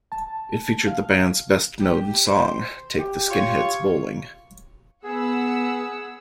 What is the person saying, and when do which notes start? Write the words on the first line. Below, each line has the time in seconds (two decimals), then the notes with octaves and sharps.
It featured the band's best known song, "Take the Skinheads Bowling".
0.12 A5
0.87 F5
1.80 G4
2.27 C5
2.99 G4
3.29 F4 C#5
5.04 B3 G#4 F#5 E6